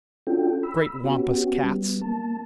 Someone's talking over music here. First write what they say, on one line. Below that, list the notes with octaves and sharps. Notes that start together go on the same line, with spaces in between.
Great Wampus Cats!
C#4 D4 F4 F#4 A4 G5
B5 E6
B3 C#4 F#4 G4
G3 B3
A#3 A5